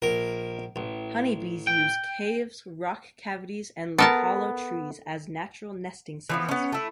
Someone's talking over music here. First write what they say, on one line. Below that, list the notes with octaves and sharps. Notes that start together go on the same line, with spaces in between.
Honey bees use caves, rock cavities and hollow trees as natural nesting sites.
A#1 A#4
A1
G5
B3 A4 A#4 A5
E3 F3 B3
B3 C#4
A3 E4